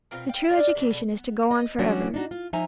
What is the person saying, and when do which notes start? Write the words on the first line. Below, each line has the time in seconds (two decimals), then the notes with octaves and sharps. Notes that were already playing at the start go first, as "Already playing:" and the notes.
The true education is to go on forever.
0.11 B2 C4 F4 A#4
0.29 F5 G5
0.49 A#4 D5 D#5
0.75 C3 E3 D4
0.90 B2 A4
1.12 B3
1.51 D#5
1.79 E3 F#3 G3 C#4 D4 F#4
2.14 D4 D#4 F#4
2.31 F4
2.53 F3 D#4 E5 G#5 A#5